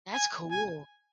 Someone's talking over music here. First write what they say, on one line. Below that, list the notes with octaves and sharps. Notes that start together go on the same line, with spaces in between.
That's cool.
G#5
G#5